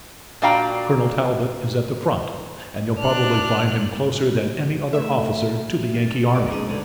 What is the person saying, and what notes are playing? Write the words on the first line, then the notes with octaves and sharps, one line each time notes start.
Colonel Talbot is at the front, and you'll probably find him closer than any other officer to the Yankee army.
A#2 D4 F#4 F5 G5 A#5
D4 F6 F#6
A3 E5
C4 A6
B1 G2 A4 D5 D6
C#3 G#3 D4 D#4 G#4 A#5
D2 G2 D3